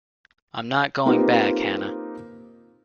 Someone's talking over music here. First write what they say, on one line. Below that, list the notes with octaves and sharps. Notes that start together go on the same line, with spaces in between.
I’m not going back, Hannah.
A#3 C4 D#4 F4 G4 B4